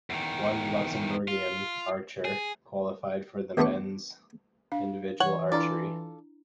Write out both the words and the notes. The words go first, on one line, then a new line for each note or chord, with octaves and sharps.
One Luxembourgian archer qualifiedfor the men's individual archery.
E2 D#3
F4
G#4
A1 E2 B3 D4 D5 C#6
D4 F5
E3 C#5 F#5
D4 E4 F4 A4 D5 A#5